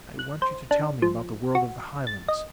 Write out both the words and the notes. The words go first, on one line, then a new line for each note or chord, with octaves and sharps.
I want you to tell me about the world of the Highlands.
F#6
C5
D4
F3
F#4
A6
D#5